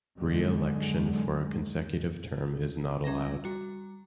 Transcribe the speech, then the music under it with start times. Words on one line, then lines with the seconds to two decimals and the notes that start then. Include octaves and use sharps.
Re-election for a consecutive term is not allowed.
0.17 F#2 D3 F#3 G#3
3.04 G3 C#4 E5 A#5 A#6
3.45 G3 F#4 A#5